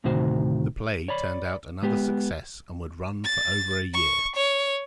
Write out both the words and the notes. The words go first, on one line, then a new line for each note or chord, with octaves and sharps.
The play turned out another success and would run for over a year.
D2 A2 C3 D#3 F#4 C5
C#5 D5 B5
G#3 B3 G4
A6
C#6
C#5